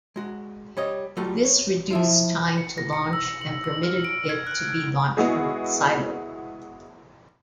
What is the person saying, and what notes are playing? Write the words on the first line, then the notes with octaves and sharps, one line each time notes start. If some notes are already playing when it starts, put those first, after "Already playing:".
This reduced time to launch and permitted it to be launched from its silo.
G#3 F#4
G3 C#5 D#5
F#3 G3 A3 F4
C#5
F3 E4 F4
C#7
A#6
C#7
E6
F#7
E6
F6
D7
G#6
F#6
G#3 B3 E4 F#4 G#4